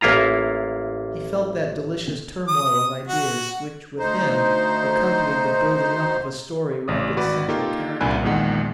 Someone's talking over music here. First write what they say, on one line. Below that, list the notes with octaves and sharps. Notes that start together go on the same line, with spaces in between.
He felt that delicious turmoil of ideas which with him accompanied the building up of a story round its central character.
A1 A#3 E4 F4 A#5
D#6
F#4
D2 D#4 C5
A1 D5 D#6
G#1 F#4 B4 D5
A#3 D#4 F4 G4 A4
C2 A#2 D4 G#5 B5 F#6
A#1 E2 A#2 D#3 G#3 F#5